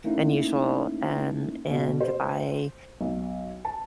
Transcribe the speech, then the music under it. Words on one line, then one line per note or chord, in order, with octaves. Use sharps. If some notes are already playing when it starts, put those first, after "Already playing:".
unusual. And and I
A3 A#3 C#4 D#4 E4
B2
C5
B1
A5